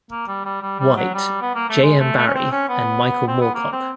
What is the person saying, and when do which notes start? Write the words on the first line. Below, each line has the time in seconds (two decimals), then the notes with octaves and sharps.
White, J. M. Barrie, and Michael Moorcock.
0.11 A#3
0.28 G3
0.45 G3
0.62 G3
0.79 G3
0.96 F#3
1.14 G3
1.41 B3
1.55 A#3
1.69 A3
1.83 G#3
2.00 A3
2.17 A3
2.27 C#4
2.34 C4
2.52 C#4
2.69 B3
3.28 C4
3.41 B3
3.55 A#3
3.72 C4